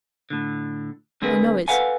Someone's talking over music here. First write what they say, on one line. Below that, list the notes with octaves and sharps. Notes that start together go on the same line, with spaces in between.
"I know it."
A2 D3
D3 G#3 C4 G#4 A#4 B4
A4 B4 F5 F#5 G#5